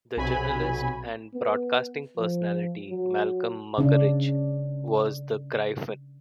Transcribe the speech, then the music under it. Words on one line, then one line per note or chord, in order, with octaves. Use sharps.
The journalist and broadcasting personality Malcolm Muggeridge was The Gryphon.
B1 C3 F#3 G#5 B5
B3
F3
F#3
C#3 D4